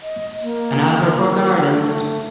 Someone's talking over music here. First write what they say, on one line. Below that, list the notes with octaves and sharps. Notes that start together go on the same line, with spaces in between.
Another for gardens.
D#5
A#3
A#3
A3